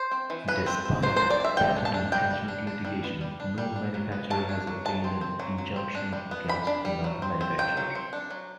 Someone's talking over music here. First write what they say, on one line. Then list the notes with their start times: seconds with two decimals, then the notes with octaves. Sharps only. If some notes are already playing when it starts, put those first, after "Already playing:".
Despite patent infringement litigation, no manufacturer has obtained an injunction against another manufacturer.
Already playing: C5
0.11 C4
0.30 E3
0.48 F#3 B4
0.66 C4
0.85 C4
1.02 F#3 C5
1.17 F#3 C5
1.30 D5
1.40 C4 E5
1.57 G3 G5
1.76 D4
1.85 A5
1.94 D4
2.12 G3 G5
2.31 G3
2.48 D4
2.67 D4
2.85 G3
3.04 B3
3.21 G3
3.40 D4
3.58 G3
3.76 D4
3.94 F#3
4.12 B3
4.30 F#3 A5
4.49 D4
4.67 F#3
4.85 F#3 A5
5.04 C4
5.21 C4
5.40 F#3
5.58 F#3
5.76 C4
5.95 D4
6.13 G3
6.31 B3
6.48 G3 B5
6.67 D4
6.85 G3
7.04 F#3
7.22 C4
7.41 C4
7.58 F#3 G5
7.77 F#3
7.95 C4
8.13 D4
8.30 F#3